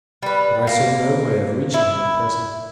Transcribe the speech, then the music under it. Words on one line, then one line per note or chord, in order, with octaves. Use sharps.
But I saw no way of reaching him at present.
G3 B4
A#3
E4